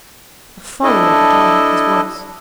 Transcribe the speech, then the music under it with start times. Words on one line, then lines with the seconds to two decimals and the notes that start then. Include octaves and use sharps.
The folly of it all was worse.
0.83 D4 E4 A4 D#5